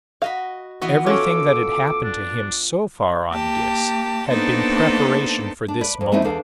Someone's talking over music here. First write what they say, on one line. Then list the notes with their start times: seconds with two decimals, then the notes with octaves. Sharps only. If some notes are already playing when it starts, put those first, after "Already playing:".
Everything that had happened to him so far on Dis had been preparation for this moment.
0.22 F#4 D#5 F5 B5
0.82 E3 B3 F#4 D#5
1.06 C#4 F4 F#4 A4 C#5 D6
2.04 D4
3.33 A#3 G4 A5
4.29 A#3 B3 D4 D#4 A4 C5
5.68 D4
5.81 B4 D5
6.01 F2
6.12 A3 B3 C4 D#4 E4
6.24 E2 D4 A4 F5